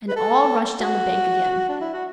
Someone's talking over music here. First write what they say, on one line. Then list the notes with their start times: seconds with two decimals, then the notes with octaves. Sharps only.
And all rushed down the bank again.
0.09 B4
0.16 A4
0.80 F#4
1.69 D4
1.81 E4
1.93 F#4